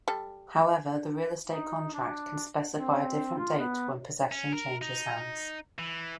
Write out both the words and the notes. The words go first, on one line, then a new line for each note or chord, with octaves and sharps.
However, the real estate contract can specify a different date when possession changes hands.
G3 A4
D#4
D4
C4
F4
B3
C#4
A#4
D#4
E3